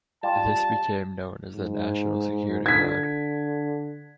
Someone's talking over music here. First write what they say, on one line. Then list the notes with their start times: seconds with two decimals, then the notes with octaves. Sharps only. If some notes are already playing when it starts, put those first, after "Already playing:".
This became known as the National Security Guard.
0.23 G3 F4 G4 A5
1.52 G#2
2.66 D3 G#6 B6